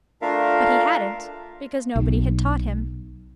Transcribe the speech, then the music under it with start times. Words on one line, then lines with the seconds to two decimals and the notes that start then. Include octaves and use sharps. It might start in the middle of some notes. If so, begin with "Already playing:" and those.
But he hadn't, because nobody had taught him.
0.22 A3 D4 F4 A#4 E5 F5
1.96 B1